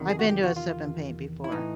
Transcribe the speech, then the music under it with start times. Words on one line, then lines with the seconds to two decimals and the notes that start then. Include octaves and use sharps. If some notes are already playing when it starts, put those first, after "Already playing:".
I've been to a sip and paint before.
Already playing: E2 C3 D#3
0.10 G#4
0.19 F#4
0.30 G4
0.43 F#4
0.56 F4
1.44 E4
1.52 A2 E3 D#4